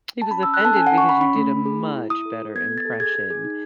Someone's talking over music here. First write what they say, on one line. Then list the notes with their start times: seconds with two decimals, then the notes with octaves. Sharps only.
He was offended because you did a much better impression,
0.22 A5
0.31 C#4 B5
0.43 E6
0.46 C#4
0.54 F#6
0.61 A4 A5
0.76 C#4 G#5
0.87 F#5
0.91 C#4
0.98 C#6
1.06 C#4 B5
1.21 C#4 B5
1.35 A3
1.51 A3
1.65 G#4
1.80 E4
1.96 E4
2.10 E4 D#6
2.25 A4
2.41 A4
2.56 B3 G#6
2.70 A4
2.78 A6
2.85 A4
3.00 G#4 G#6
3.15 G#4
3.30 G#4
3.45 D#4